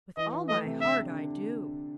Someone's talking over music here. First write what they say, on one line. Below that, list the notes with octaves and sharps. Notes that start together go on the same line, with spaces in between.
"With all my heart I do."
E3 D#5
E3
A3 D#5
C3
D3 E5
D4
D3